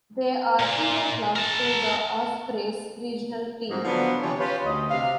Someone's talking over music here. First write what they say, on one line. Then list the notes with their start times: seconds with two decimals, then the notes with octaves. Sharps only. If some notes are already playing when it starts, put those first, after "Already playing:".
They are feeder club to the Ospreys regional team.
0.59 A#2
1.36 A#4 A5
3.70 G#2 F3 A#3 C4 D#4 F#4
3.85 D3 F3 F#3 B3 D4
4.22 C3 E3 F3 G4 C#5
4.39 C#4 F4 G4 B4 C#5
4.64 D2 D#5
4.91 C3 F5